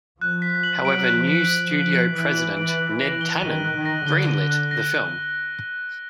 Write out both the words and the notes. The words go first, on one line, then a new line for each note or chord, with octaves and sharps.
However new studio president Ned Tanen greenlit the film.
F3 F#6
B6
F#7
F#3 D7
F#6
F3
B6
F#7
D7
F#6
E3 B6
F#7
D7
F#6
A#6
G7
D#3 D#7
F#6
D#3
A#6
D3 G7
D#7
F#6
A#6